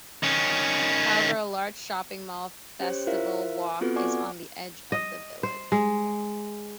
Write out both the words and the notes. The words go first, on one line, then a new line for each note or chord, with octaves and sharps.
However a large shopping mall, Festival Walk, is on the edge of the village.
D#3 C#4
C#4 G4 C5 C#5
E4 F4 A#4 C5 E5 F5
B3 C4 F4 F#4 A4 B4
D5 F#5 G#5 C#6 D6
D#5
C5
G#3